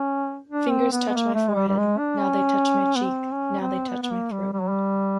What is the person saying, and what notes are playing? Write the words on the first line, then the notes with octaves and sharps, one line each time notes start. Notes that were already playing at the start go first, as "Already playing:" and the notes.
Fingers touch my forehead — now they touch my cheek — now they touch my throat!
Already playing: C#4
D4
C4
B3
B3
A#3
A3
G#3
G3
G3
G#3
D4
C#4
B3
C4
C#4
C4
B3
B3
A#3
G3
G3
F#3
G3